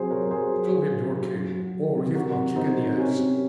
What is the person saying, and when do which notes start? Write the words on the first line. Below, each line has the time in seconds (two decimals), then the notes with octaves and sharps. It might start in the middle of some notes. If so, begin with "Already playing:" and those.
Show him your cane or give him a kick in the ass.
Already playing: C3 F#3 G#4 C5
0.10 F#3 A#4 C#5
0.25 A#4
0.31 F#3 G#4 C5
0.51 F#3
0.72 C#3
0.93 C#3
1.13 F#3
1.34 F#3
1.54 F#3
1.74 F#3
1.95 C3
2.15 F#3 F#4 A#4
2.36 C3
2.56 C3 C4 D#4
2.77 C3
2.97 C3 C#4
3.18 C3